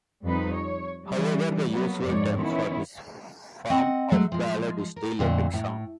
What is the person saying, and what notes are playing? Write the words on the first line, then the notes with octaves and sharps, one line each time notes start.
However, the usual term for this form of ballad is still epic song.
F2 G3 C4 D#4 B4
C#5
E3 G3
F#3 A#3 B3
F2 G#2 C#5 D5
D#3 E3 B3 C#4 E4
C4 D#5 F#5
F#3 G#3 A3
F3 G#3
A#4
F2 A#2 D3 A3
A2